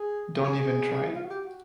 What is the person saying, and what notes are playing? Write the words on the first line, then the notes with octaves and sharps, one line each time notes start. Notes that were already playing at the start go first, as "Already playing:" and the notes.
Don’t even try.
Already playing: G#4
G4
G#4
E4
F4
F#4
G4
F#4